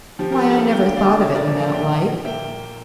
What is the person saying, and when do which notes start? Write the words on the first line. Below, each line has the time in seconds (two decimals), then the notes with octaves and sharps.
"Why, I never thought of it in that light."
0.19 F3 G4
0.32 G4 A#4
0.45 A3 G4 A#4
0.58 F4 A4
0.71 D3 E5 G5
0.86 G5
0.97 D3 D5 F5
1.22 A2 C#5 E5
1.35 A#4 D5
1.48 F3 C#5 E5
1.60 D5 F5
1.73 A#2 E5 G5
2.00 A#2
2.25 A#3 E5 G5